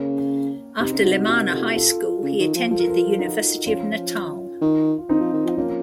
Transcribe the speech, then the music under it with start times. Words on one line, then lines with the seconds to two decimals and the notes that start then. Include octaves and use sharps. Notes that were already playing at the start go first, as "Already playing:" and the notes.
After Lemana high school, he attended the University of Natal.
Already playing: C#3 A#3 C#4
0.80 C3 C4 D#4
0.93 C#3
1.04 C3 D#4 F#4
1.27 F#4 A#4
1.51 F4 A4
1.75 F4 A4
2.23 C#3
2.39 D#3
2.55 F3
2.71 F3 A4
2.79 A#4
2.89 F4 A4
3.19 D#4 F#4
3.66 F3 C#4 F4
4.61 D#3
4.98 F4
5.09 D#3 C4 D#4
5.21 F3
5.33 D#3
5.46 F3
5.57 F3 A#3 C#4